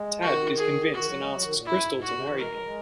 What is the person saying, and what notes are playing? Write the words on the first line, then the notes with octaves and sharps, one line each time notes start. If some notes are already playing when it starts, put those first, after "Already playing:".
Tad is convinced and asks Krystal to marry him.
Already playing: G#3
D#3 F#4
G#4
D#3 F#4
E3
F#3
G#3
F#3
D#3
A#2
F#2 E4
G#2
G#2
A#2 F#4
C#3
E3
G#3 A#4
G#3
F#3
G#3